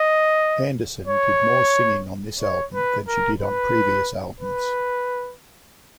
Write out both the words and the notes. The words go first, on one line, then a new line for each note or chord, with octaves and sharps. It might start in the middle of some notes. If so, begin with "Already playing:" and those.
Anderson did more singing on this album than she did on previous albums.
Already playing: D#5
C#5
C#5
B4
A#4
B4
B4